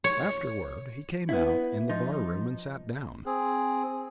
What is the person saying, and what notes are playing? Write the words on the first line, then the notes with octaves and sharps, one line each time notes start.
Afterward he came out in the bar-room and sat down.
C#5
B3 E4
F3 D#4
C4 G#4